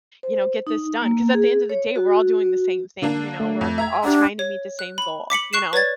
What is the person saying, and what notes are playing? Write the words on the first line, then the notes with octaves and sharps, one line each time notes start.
you know, get this done 'cause at the end of the day we're all doing the same thing, you know, we're all trying to meet the same goal, you know?"
C5
D#4
A#3
G#4
C#5
F#4
D3 A#3 D4
A3
F2
E5 A#5 G#6
D4 G4 D5 F#5
C#5
F#6
B5 F#7
D6 B6 C#7 F#7
C#6 F#6 C7 E7
B4 C#5 D5 G#6 A6